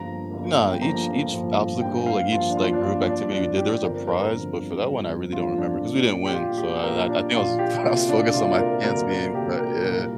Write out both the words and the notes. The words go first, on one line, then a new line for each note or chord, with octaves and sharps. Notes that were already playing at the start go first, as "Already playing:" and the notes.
No, each each obstacle, like, each, like, group activity we did, there was a prize, but for that one I really don't remember, 'cause we didn't win, so I I I think I was I was focused on my pants being cut, yeah.
Already playing: G1 G2 F3 A#3 A#5
G1 G2 F3 A#3
G5
G1 G2 F3 A#3 A#5
G1 G2 F3 A#3
G2 F3 A#3 G5
F5
G2 F3 A#3 F4
D4
F4
D4
G2 F3 A#3 F4
D4
G2 F3 A#3 D4
G4
G1 F2 D3 F3 C4 A#4
A#4
G1 F2 D3 F3 C4
G1 F2 D3 F3 C4
G1 F2 D3 F3 C4 F4
D4
A#1 A#2 A#3
G4
A#1 A#2 A#3 F4
G4
A#1 A#2 A#3 A#4
D4
A#1 A#2 A#3 F4
G4
D2 C3 A#3 F4
D4
D2 C3 A#3 F4
A#4
D2 C3 A#3 A#4
A#4
D2 C3 A#3 G4
A#4
C2 A#2 G3 A#3 A#4